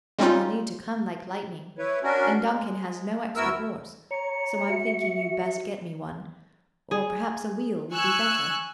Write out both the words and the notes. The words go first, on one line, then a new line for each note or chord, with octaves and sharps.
I'll need to come like lightning, and Duncan has no extra horse, so I'm thinking you'd best get me one--or perhaps a wheel would be better.
G3 G#3 C4 C#4 D#4 F4
E4 B4 C#5
C#4 D4 F#4 A#4
G#3
D2 B3 E4 F#4 A#4 E6
C#5 A#5 C#7
F#4 E5
G#4
G#5 C#6 E6 F#6 G#6